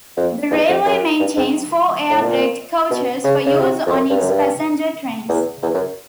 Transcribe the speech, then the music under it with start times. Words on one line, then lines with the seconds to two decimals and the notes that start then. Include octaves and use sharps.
The railway maintains four air-braked coaches for use on its passenger trains.
0.17 F2
0.51 E2
0.68 F2
0.85 F#2
1.20 G2
1.36 G#2
2.10 A2
2.22 A#2
2.90 B2
3.24 C#3
3.46 C#3
3.59 C3
3.87 F2
3.92 F#2
4.10 G2
4.19 F#2
4.29 G2
5.29 E2
5.63 E2
5.74 F#2